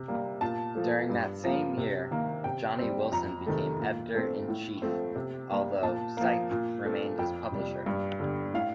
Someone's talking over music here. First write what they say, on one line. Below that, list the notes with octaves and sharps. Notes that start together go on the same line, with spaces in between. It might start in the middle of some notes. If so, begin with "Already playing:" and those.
During that same year, Johnny Wilson became editor-in-chief, although Sipe remained as Publisher.
Already playing: C3
G3 A#3
A#2 A5
F3 A3
G2
F3 A#3
C3
D#3 A#3
C3 G5
G3 C4
F2 A#5
C3 D#3 A3
A#2
A3 C4
A2
F3 A3 C4
C3
G3 A#3
A#2 A5
F3 A#3
A#2
A3 C4
F2 G5
C3 G3
G2
D3 G3
A2 F5